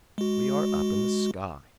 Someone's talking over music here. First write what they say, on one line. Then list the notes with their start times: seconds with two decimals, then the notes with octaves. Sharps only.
We are up in the sky.
0.18 G#3 F#4